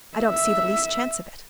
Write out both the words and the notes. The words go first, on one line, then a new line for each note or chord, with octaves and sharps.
I don't see the least chance of it.
E5